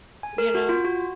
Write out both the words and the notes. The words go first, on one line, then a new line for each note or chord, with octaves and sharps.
you know?
G#5
A#4
F#4
F4
F#4